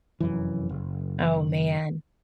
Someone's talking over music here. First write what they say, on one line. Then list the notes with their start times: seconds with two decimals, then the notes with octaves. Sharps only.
Oh, man.
0.20 F1 F#2 E3
0.69 F#1